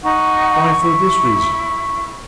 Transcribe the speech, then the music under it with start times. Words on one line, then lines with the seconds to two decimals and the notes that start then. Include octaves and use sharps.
'Why, for this reason.
0.04 D#4 F#5 C#6
0.80 E4